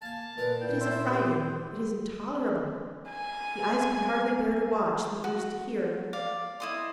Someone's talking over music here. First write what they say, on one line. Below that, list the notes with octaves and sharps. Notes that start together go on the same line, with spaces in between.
It is affrighting, it is intolerable! the eyes can hardly bear to watch, the ears to hear!
A#3 F5 G#5 A5
A#2 A#4 B4 F5
A#2 E4 G5
C5 E5
G4
G#5
F#4
D5 F5
E4 D#5 C6